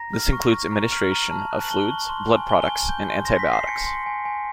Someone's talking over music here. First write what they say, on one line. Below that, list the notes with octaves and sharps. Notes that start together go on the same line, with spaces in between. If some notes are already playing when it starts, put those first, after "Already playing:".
This includes administration of fluids, blood products, and antibiotics.
Already playing: A#5 A#6
F6
C#6
C#6
A#5
F6 F#7
A#5
A5
F#6
F#7
A5 G7
C#6
C6
G#5
G#5 G7
G7
G#5
G6
C6
C6 A#6
B6
C6
C7
G#5 C#7
C6
G#5
G#5